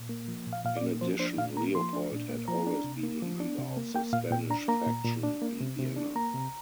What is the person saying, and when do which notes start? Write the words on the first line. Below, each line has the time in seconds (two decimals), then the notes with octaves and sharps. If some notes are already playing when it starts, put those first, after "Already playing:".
In addition, Leopold had always been a member of the "Spanish faction" in Vienna.
Already playing: A#2
0.09 A#3
0.28 F3
0.46 A#2
0.53 F5
0.65 A#2 F5
0.77 D5
0.83 A#3
1.01 F3 C5
1.19 D4 C5
1.38 A#2 F5
1.56 A#3 A#5
1.75 F3 C6
1.93 D4
2.12 A#2
2.29 A#3
2.48 F3 A#5
2.67 D4
2.84 C3
3.03 A#3
3.22 F3
3.40 D4
3.58 C3
3.77 A#3
3.94 A#3 G5
4.13 A#2 F5
4.31 A#2 G5
4.50 D4 A#5
4.68 A#3 A#5
4.87 A#2
5.05 A#2
5.23 D4
5.42 A#3
5.60 C3
5.79 C3
5.96 D4
6.16 A#3 A#5
6.34 C3